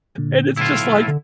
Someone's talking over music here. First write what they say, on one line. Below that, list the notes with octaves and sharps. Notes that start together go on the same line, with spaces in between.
and it's just, like,
A#2 D3
B1 A2 E4 F4
D3